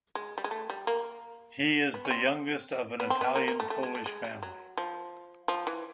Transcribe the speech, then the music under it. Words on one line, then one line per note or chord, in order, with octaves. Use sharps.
He is the youngest of an Italian-Polish family.
G#3
G3
G#3
A3
G3
A#3
B3
C#4
C4
B3
C4
B3
A#3
A#3
A3
A3
G#3
A3
G#3
G3
F#3
F3
F3
E3